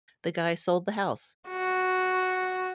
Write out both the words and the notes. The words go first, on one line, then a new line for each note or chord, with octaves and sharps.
the guy sold the house.
F#4